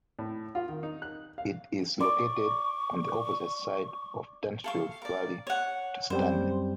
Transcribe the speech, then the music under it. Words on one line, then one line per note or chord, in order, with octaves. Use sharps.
It is located on the opposite side of the Tanfield valley to Stanley.
A2
F4
D#3
D#4
F#6
F5
D5 C#6
A4 F5 C#6
A#4 D5
C#5 F#5
F#2 G3 C4 C5